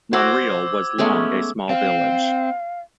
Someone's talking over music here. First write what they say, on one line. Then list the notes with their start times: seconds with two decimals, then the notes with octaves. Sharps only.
Monreale was long a small village.
0.13 F#4 C5 D5 D6 E6 G#6
0.98 G#3 A3 B3 C#4
1.69 C4 F5